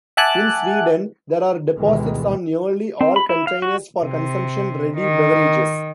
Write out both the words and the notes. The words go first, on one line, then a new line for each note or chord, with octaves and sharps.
In Sweden, there are deposits on nearly all containers for consumption-ready beverages.
E5 F#5 G#5 A5 D6 F#6
D2 G2 B2 D#3 E3 G#3
C4
B5
E4
F5
F#4
C3
D#3